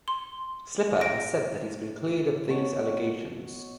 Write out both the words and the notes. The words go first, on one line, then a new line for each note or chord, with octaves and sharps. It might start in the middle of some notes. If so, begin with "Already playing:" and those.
Slipper has said that he has been cleared of these allegations.
C6
A#6 D7
B2 F#4 C#5